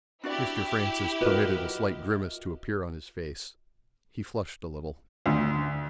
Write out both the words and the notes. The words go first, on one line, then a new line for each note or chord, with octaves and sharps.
Mr. Francis permitted a slight grimace to appear on his face; he flushed a little.
D4 E4 F#4 G4 D5
F4 F#4 A#4 B4 D#5
D2